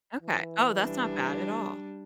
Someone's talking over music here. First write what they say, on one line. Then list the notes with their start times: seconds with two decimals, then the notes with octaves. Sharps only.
Okay, oh, that's not bad at all.
0.22 E3
0.82 G3 D4